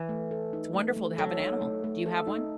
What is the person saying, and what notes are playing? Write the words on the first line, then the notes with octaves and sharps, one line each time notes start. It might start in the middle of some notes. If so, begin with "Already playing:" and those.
it's wonderful to have an animal. Do you have one?
Already playing: E3
A3
A4
D#4
A3
A3
F#3 A4
D#4
A3
A3
A4
D#4